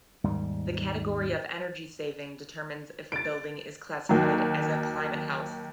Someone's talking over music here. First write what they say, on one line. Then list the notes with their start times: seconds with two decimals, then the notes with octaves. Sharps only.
The category of energy saving, determines if a building is classified as a ClimateHouse.
0.24 D#2 G#2 G3
3.12 A6 D7
4.09 D#2 F#3